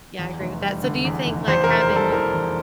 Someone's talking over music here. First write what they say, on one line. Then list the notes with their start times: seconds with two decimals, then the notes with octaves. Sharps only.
Yeah, I agree with that. So do you think, like, having
0.19 E2
0.40 F1
0.61 G3
0.83 D3
1.05 E2
1.26 F1
1.47 E2 C5
1.64 A#4
1.69 E1
1.80 C5
1.90 G3
1.96 A4
2.12 E3 A#4
2.34 E2